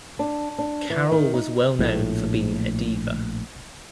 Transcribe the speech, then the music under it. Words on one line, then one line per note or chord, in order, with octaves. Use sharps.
Carol was well-known for being a diva.
D4
D4
E3
D#3
D#4
A#1 A2 E3 A3